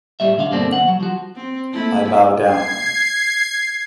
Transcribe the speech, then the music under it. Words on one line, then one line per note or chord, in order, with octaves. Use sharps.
I bow down"".
A2 G3 E5
D3 D4 F5
G2 B2 D3 A#3 C4 D4
D#2 F#5
F#3
F3 F#4
C4
A3 A#3 E4
G#6 C7